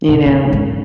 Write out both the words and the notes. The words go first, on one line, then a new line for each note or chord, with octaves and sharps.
You know?
B2
A#2
G#2